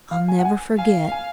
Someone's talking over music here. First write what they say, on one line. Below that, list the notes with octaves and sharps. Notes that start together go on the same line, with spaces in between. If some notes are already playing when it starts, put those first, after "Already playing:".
I'll never forget.
F5
G#5
F#5
G#5
F5 G#5
G#5